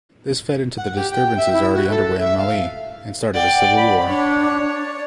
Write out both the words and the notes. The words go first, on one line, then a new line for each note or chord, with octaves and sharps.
This fed into the disturbances already underway in Mali, and started a civil war.
F#5
G4
G5
E5
E4
F#4
A4
E5
F5
D5 F#5 G5
B5
D4 C#5
D5